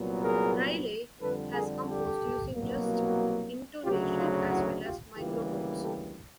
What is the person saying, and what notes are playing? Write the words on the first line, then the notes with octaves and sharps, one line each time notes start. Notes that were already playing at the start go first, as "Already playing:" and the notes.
Riley has composed using just intonation as well as microtones.
Already playing: C2 A#2 F#3 B3
G#4 A#4
F2 D3 G3 A4 B4
G#4 A#4
G4 A4
C2 B2 F#3 A#3
D2 C#3 F#3 F4 G4
D#4 F4
E4 F#4
F4 G4
D2 C#3 E3 G3 A#3 F4 G4
G4 A4